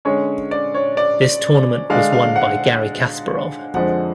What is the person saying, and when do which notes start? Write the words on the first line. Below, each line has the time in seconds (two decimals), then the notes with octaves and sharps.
This tournament was won by Garry Kasparov.
0.05 D3 G#3 C#4 C#5
0.51 D5
0.74 C#5
0.97 D5
1.90 D3 G#3 D4 F5
2.12 F5
2.36 F#5
3.74 F2 D3 F3 G#3 F#5